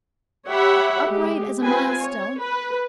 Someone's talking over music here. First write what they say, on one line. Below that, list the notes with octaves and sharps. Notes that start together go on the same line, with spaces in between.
Upright as a milestone.
G4 C#5 E5 F#5 B5
G#3 G4
C4 F4 B4 G#5
C#5
B4